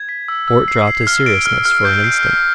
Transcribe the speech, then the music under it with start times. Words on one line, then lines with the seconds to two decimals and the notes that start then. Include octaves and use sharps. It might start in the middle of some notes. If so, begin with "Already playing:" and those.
Fort dropped his seriousness for an instant.
Already playing: G#6
0.09 B6
0.28 E6
0.48 E6
0.68 C7
0.87 C7
1.07 F6
1.26 D7
1.46 F6
1.65 F6
1.85 G6
2.04 C7
2.24 G6